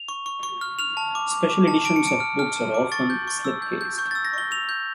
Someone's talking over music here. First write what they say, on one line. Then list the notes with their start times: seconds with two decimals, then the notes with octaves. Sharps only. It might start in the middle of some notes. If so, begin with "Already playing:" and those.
Special editions of books are often slipcased.
Already playing: F7
0.09 C#6
0.26 C#6
0.43 C#6
0.61 F6
0.79 F6 F7
0.97 A5
1.15 D6
1.32 D6
1.50 D6
1.68 A5
1.85 A5 D7
1.96 C#7
2.03 A5 D7
2.20 F6
2.39 F6
2.56 A5
2.74 D6
2.92 C#6 A6
3.10 G6
3.28 C#6
3.45 E6
3.62 G6
3.81 G6
3.98 C#6 G6
4.11 E6 A6
4.25 A#6
4.33 C#6 G7
4.51 E6 F7
4.69 G6